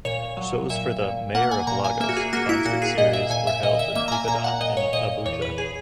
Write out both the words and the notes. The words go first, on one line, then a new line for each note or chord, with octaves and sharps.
Shows for the "Mayor of Lagos" concert series were held in Ibadan and Abuja.
A#2 C#5
F#3
A#2 E5
A#2
A#3 F#5
G#5
A#2 A#5
G#5
A#3 E5
F#4
G#4
A#3 F#4
E4
A#2 F#4
G#4
A#2 D#5
E5
A#2 G#5
E5
A#2 D#5
E5
A#3 E5
A#5
G#5
A#2 A#5
F#5
A#2 D#5
C#5
A#2 D#5
E2 C#5
B4
G#4